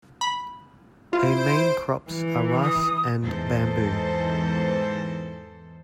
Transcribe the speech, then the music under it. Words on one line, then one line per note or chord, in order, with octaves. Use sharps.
A main crops are rice and bamboo.
B5
E4 F4 C5 D7
E3
D#6
E2 G#2 E3 A4 C5